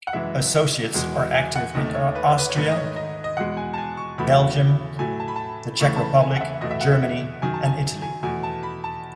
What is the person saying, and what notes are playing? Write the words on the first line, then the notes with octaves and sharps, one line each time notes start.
Associates are active in Austria, Belgium, the Czech Republic, Germany, and Italy.
F#5
F#2 E3 G#3 E5
E2 B2 G#3
G#5
F#5
D#2 D#3 A3 D#5
C#5
B4
C#5
B4
C#5
G#2 D#3 A3 B4
D#5
C#5
D#5
D#5
E2 B2 G#3 F#5
G#5
A5
G#5
C#6
E2 B2 A3 B5
A2 F#3 A3 G#5
A5
B5
A5
E2 C#3 E3 A3 C#6
A5
B5
G#5
F#5
E5
E2 B2 A3 D#5
E5
F#5
E5
E5
F#2 D#3 F#3 G#5
A5
G#5
G#5
E2 B2 A3 G#5
A5
B5
A5